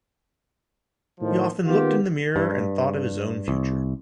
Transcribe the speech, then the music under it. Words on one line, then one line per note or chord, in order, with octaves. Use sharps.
He often looked in the mirror and thought of his own future.
A2 D#3 F3
D#3 A#3 B3 F4 G4
G2
C2